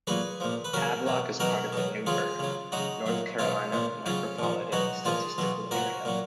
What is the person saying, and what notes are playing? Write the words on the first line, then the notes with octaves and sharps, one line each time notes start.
Havelock is part of the New Bern, North Carolina Micropolitan Statistical Area.
A#2 F#3 G#4 B4
A#2 F3
B4
C#3 F#3 F#4 A#4
B2 F#3
B2 F#3 F#4 A#4
B2 F#3
C#3 F#3 F4 G#4
C#3 F#3
C#3 F#3 D#4 F#4
A#2 F#3
B2 F#3 C#4 F4
A#2 F3
C#3 F#3 C#4 F4
A#2 F3
B2 F#3 D#4 F#4
A#2 F3 F4 G#4
B2 F#3
A#2 F#3 F#4 A#4
A#2 F#3